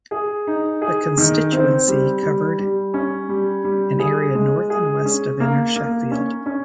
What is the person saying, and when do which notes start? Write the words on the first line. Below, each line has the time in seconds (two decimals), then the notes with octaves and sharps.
The constituency covered an area north and west of inner Sheffield.
0.11 G#4
0.47 D#4
0.82 G#4
1.17 D#3
1.52 C4
1.88 G3
2.23 G3
2.59 G3
2.94 C#4
3.29 G3
3.64 G3
3.99 G#4
4.35 G#3
4.70 G#4
5.05 C#4
5.40 A#3
5.76 A#3
6.11 C#4
6.46 C#4